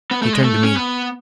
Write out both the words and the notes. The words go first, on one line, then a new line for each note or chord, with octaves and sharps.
He turned to me.
B3
A3
G#3
A3
C#4
B3